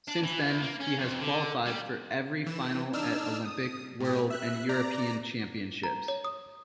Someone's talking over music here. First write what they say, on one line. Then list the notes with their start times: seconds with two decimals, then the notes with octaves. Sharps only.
Since then he has qualified for every final at Olympic, World and European Championships.
0.08 D4
0.23 E3
0.42 E2
0.62 A#3
0.80 C#4
0.99 F2
1.21 D3
1.66 G3
2.46 E3 E7
2.93 D4 D#4 E6 F6 E7
3.45 D#6
4.00 A2 G4
4.30 E5 F#6
4.69 D5 A#5
5.84 A#5
6.08 C#5
6.25 D#6